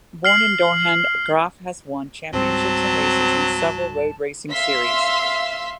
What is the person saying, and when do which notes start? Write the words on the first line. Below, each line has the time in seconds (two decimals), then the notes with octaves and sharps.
Born in Dornhan, Graf has won championships and races in several road racing series.
0.25 F6 C7 F#7
2.33 C#2 G#2 F#3 G3 C4 A5
4.52 E5 F5 C6 E6 B6